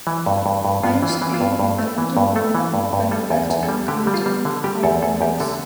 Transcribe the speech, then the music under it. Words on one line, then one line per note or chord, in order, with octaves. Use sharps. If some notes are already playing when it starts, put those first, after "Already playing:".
Einstein is the older brother of fellow actor and comedian Albert Brooks.
E3
G2
G2
G2
G2 F4
E3
F4
E3
F4
G2
G2
A3
E3
G2
A3 A4
E3
G2
G2
G3 A4
E2
A4
E2
A4
G3
D3 G4
G3
F4
G3
D3
G3 G4
E2 A4
E2 A4
E2 G4
D3 A4